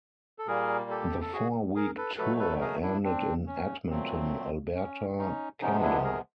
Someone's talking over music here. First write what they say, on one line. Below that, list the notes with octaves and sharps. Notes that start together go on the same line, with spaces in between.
The four-week tour ended in Edmonton, Alberta, Canada.
A4
A#2 G3 A#3 G#4 A#4
G4 A4
A4
F#4 G#4
G#4 A#4
A4 B4
B2 F#3 A3 A4 B4
A4 B4
G#4 A#4
D4 E4
C4 D4
C#4
A#2 F#3 A3 C4
C#4
C#4 D#4
C3 F3 G#3 B3 C#4 D#4
D4 E4
G#4 A#4